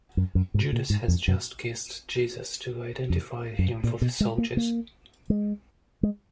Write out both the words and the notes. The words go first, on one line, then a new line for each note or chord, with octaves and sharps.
Judas has just kissed Jesus to identify him for the soldiers.
F#2
F#2
G#2
A#2
G#2
F2
F#2
F2
F#2
A#2
B2
G#3
A#3
A#3
G#3
G#3